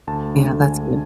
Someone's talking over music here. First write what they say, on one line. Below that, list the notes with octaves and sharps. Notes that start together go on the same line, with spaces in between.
Yeah, that's good.
D2 A5
D3 G#3
D2 G#5
D3